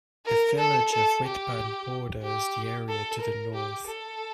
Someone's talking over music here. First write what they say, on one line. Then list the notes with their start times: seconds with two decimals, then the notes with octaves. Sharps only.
The village of Whitburn borders the area to the north.
0.26 A#4
0.58 A4
0.92 A4
1.24 G4
2.23 G4
2.89 A4
3.21 A#4
3.54 G4
3.87 A4